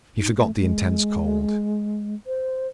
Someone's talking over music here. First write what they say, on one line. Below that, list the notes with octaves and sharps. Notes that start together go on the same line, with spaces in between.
He forgot the intense cold.
D#4
A3
G#3
C5